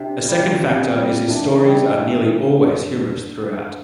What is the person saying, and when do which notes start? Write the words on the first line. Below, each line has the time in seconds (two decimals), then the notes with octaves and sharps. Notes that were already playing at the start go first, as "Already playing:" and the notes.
A second factor is his stories are nearly always humorous throughout.
Already playing: C3 D4
0.28 G3 A#3
0.62 C3 C4
0.96 G3 A#3
1.30 E3 D4
1.65 G3 C4 E4
1.99 E3